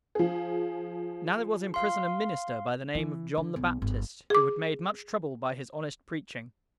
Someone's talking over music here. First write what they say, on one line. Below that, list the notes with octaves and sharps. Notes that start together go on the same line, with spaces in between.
Now there was in prison a minister by the name of John the Baptist, who had made much trouble by his honest preaching.
F3 G#4
F5 C6
E3
D3
B1
G1
G#4 D6